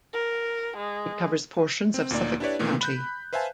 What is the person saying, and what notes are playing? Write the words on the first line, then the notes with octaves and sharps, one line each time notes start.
It covers portions of Suffolk county.
A#4
G#3
C4
D2 A#2 A#3 D#4 D5
D4 E4 G4 B4 C#5 D5
A#2 D#3 E3 A3 B3
B5 F#6 G6
B4 C5 E5 F5 G#5 A5